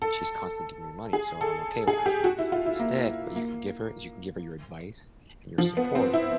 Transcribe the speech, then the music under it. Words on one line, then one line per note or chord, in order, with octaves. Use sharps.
she's constantly giving me money so I'm okay with asking." Instead what you can give her is you can give her your advice and your support.
A4
G#4
A4
G#4
G4
F#4
E4
F4
E4
A#3
A#3
F3
B3
C4
E4